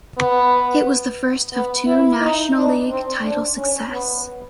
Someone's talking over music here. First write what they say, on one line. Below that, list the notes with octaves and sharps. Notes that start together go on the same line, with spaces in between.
It was the first of two National League title success.
B3
B3
E4
D#4
D4
C4
D4
C#4
B3